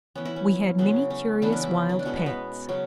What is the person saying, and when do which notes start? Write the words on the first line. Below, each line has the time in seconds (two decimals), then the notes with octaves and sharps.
We had many curious wild pets.
0.15 E3 B3 C#4
0.25 E4
0.36 C#4
0.79 C#3 F#3 B3
1.10 C#4
1.42 C#3 E3 B3 D4
1.52 C#4
1.64 E4
1.89 C#4
1.99 D4
2.05 B2 G#3 B3 C#4
2.16 B3
2.26 B3
2.69 C#3 F#3 B3 C#4